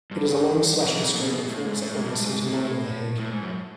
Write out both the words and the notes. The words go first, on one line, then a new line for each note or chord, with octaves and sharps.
It is a long slashing stroke that falls on the centre-line of the head.
G2
F2
F2
A#2
B2
A#2
A2
G#2
A2
G#2
G2
G#2
A#2
A2
A2
G#2
F#2